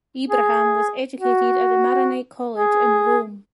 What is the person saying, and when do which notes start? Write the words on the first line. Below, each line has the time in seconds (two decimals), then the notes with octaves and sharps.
Ibrahim was educated at the Maronite College in Rome.
0.30 G#4
1.20 F#4
2.55 G#4